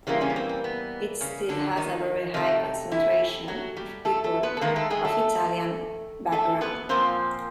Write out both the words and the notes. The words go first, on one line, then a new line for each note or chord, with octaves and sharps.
It still has a very high concentration of people of Italian background.
C#3 E3 G3 A#3 C4
C#3 C#4
B3
C4
C4
B3
C#3 C#4
D3 D4
D#3 D#4
C3 D#3 A3 D#4
E3 E4
F#3 F#4
G3 G4
A3 A4
A3 A4
B3 B4
A4
D#3 G#3 A#3 A#4
A3 A4
G#3 G#4
A3 A4
A3 A4
B3 B4
A#2 F3 A#3 C4 C5